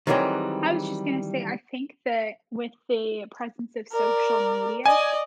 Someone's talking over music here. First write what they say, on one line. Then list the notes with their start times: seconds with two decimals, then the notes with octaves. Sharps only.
I was just gonna say, I think that with the presence of social media
0.07 D#3 E3 F#3 G3 C4 G#4
3.93 A#4 D5
4.86 D5 D#5 G#5